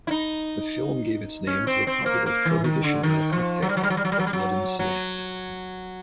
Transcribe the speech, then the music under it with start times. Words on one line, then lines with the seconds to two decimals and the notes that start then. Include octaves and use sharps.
The film gave its name to a popular Prohibition-era cocktail, the Blood and Sand.
0.07 E4
0.11 D#4
1.47 C#4
1.67 C4
1.87 C4
2.06 A#3
2.26 A#3
2.45 E3
2.64 D#3
2.84 D3
3.03 D#3
3.32 F3
3.62 F#3
3.69 G3
3.77 F#3
3.83 G3
3.90 F#3
3.97 G3
4.05 F#3
4.12 G3
4.19 F#3
4.27 G3
4.33 F#3
4.79 F#3